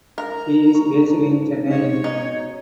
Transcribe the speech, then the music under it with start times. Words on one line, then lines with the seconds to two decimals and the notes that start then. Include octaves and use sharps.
He is based in Chennai.
0.18 A#4 A#5
0.75 A1 C#6
1.06 G#2 D4
1.70 G4 C5 C#5 D#5
2.04 B2 D#4